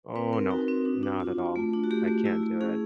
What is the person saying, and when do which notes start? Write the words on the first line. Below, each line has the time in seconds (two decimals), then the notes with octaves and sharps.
Oh, no. Not at all. I can't do it.
0.16 C4 B4
0.33 C4 A#4
0.50 D#4 F#4
0.68 C4
0.85 D4
1.03 D4
1.20 F4
1.38 F4
1.56 A3
1.73 D4
1.84 F#4
1.91 A3 G4
2.08 A3
2.26 E4
2.43 A3
2.61 C#4 G#4